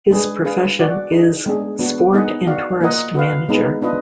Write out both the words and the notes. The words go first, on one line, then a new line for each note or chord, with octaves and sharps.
His profession is Sport- and Tourist manager.
G#3 D4 G#4 B4
D4 G#4 B4 F5
F#4 D5 F#5
D#4 G#4 D#5
G#3 B3 D4 G#4
B3 D4 F#4
B3 D#4 G#4 D#5 F#5
F#4 D5 F5
A#3 F4 A#4 D#5 F#5
F#4 B4 F5
G#3 B3 D#4 G#4 B4
B3 D4 F4 B4 D#5